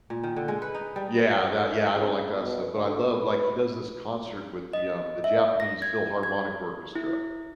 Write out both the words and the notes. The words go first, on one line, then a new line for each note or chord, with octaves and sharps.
Yeah, that yeah, I don't like that stuff, but I love like, he does this concert with the, um, the Japanese Philharmonic Orchestra
A#2
D#3
D3
G#3
B4
D#4
G3
A3
C#2
B2
D2
B4
D#5
E5
A#6
G#6
G#6
E4